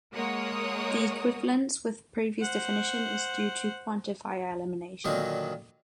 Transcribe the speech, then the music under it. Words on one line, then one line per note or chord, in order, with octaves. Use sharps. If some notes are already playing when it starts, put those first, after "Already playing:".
The equivalence with previous definition is due to quantifier elimination.
G#3 A#3 A#4 C#5 F#5 D#6
C5 F#5
A#2 D3 D#3 F#3 D#4